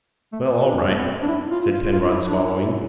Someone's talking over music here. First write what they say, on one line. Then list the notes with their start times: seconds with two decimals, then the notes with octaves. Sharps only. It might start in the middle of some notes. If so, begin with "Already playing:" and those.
"Well, all right," said Penrod, swallowing.
0.32 A3
0.50 B3
0.68 D4
0.76 F3
0.83 G3
0.90 A3
0.97 B3
1.04 C4
1.23 D4
1.27 E4
1.51 F4
1.74 F4
1.93 F4
2.11 E4
2.27 D4
2.46 E4
2.63 E4